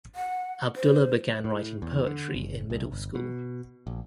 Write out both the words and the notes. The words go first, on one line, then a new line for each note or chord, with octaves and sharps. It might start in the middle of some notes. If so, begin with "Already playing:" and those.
Abdullah began writing poetry in middle school.
F#5
C5
A2
E2
D3
F#1
C2
G1
B2
A#1